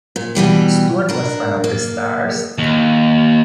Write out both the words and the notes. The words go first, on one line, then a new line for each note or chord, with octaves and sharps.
Stuart was one of the stars.
A#2
B2 E3 G3 G4
D4 A#4
A#3
D#2